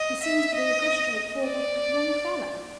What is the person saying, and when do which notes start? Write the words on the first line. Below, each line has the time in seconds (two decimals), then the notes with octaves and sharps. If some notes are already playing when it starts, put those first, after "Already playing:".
"He seems to be a good straight-forward young fellow."
Already playing: D#5
0.23 E5
0.54 D#5
1.45 D5